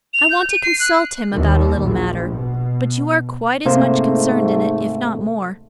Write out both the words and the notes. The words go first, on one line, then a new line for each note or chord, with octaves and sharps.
I want to consult him about a little matter; but you are quite as much concerned in it, if not more.
F7
G6
D#7
C7
F#6
D#2
A#1
B2
G#2 C3 A3 A#3 C5